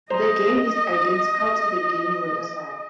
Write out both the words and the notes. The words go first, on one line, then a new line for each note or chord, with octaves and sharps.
The game is identical to the game Reversi.
C5 D#5 A#5